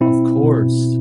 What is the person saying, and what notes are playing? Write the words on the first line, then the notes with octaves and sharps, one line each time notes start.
Of course.
B2 C4 E4
B2